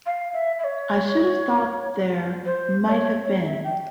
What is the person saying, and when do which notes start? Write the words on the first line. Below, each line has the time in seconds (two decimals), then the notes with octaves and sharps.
I should have thought there might have been.
0.06 F5
0.33 E5
0.59 E5
0.64 C#5
2.45 C5
2.84 E5
2.89 C#5
3.25 C#5
3.44 E5
3.64 G5